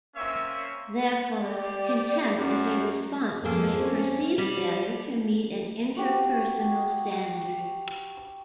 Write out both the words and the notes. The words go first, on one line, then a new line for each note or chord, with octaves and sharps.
Therefore, contempt is a response to a perceived failure to meet an interpersonal standard.
A#3 C4 C#4 C#5 E5
G4 D5
F#2
F2 A#3 G#4 A4
C4 C#4
G3
F#4 G4 G5